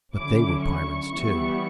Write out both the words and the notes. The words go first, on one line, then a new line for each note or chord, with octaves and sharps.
But they were Pyrrans, too.
D3 F#3 C#4 E4 D6
C#6
E3 G3 B3 E4